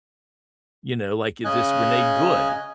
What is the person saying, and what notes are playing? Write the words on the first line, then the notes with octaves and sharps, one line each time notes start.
you know, like, if this Renee Good,
C#3 C#4 D#5 G#5 F#6